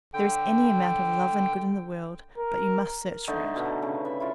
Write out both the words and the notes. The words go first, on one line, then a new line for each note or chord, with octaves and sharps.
There is any amount of love and good in the world, but you must search for it.
D3 G5
A#4
D3 A3 D#4
B2
C#3
B4 E5
E4 F4